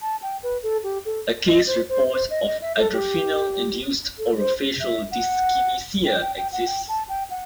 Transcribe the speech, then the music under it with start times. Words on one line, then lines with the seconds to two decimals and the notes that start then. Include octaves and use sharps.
A case report of adrafinil-induced orofacial dyskinesia exists.
0.02 A5
0.22 G5
0.43 B4
0.63 A4
0.84 G4
1.05 A4
1.47 D#5
1.67 C5
1.89 C5
2.09 C5
2.30 D#5
2.46 D#5
2.62 E5
2.77 A4
2.93 G4
4.18 A4
4.38 C5
4.80 E5
5.11 F#5
6.05 G5
6.21 G5
6.37 G5
6.53 F#5
6.67 G5
6.89 A5
7.09 G5
7.30 F#5